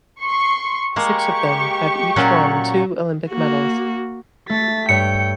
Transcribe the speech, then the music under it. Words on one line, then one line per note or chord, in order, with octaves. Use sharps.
Six of them have each won two Olympic medals.
C6 C#6
G#3 A#3 G4 C#6
A#2 F#3 C#4
A#3 F#4
A3 A4 A6 B6
G2 C#5 G5 C#7